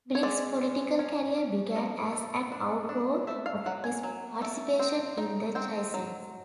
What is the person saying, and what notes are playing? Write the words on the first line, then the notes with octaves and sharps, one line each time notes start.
Briggs' political career began as an outgrowth of his participation in the Jaycees.
C#5
G#3 D5
G#3
C#4
C#4
F3 D#5
A3
D4
D4
A3 E5
F5
F#3 F#5
G#5
F#3
A3
C4
D#4
C4 G5
F#3